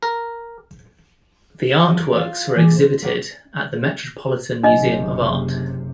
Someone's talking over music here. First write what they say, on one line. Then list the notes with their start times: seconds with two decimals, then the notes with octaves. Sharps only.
The artworks were exhibited at the Metropolitan Museum of Art.
0.03 A#4
1.86 F3 G3 E4 F#4
2.00 A#4
2.16 F4 C5 F5
2.56 E3 G#3 A3 G4
2.75 C5
3.02 A#4 B4 C#5 D5 F#5 G5
4.63 F#1 C3 D4 D#5